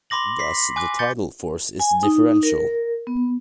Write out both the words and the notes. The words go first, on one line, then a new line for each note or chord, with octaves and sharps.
Thus, the tidal force is differential.
B5 C6 D6 A#6 F#7
B6 C7
G#5 D6 F#6
G6 A6 C#7 G7
G#5
D#4
A#4
B3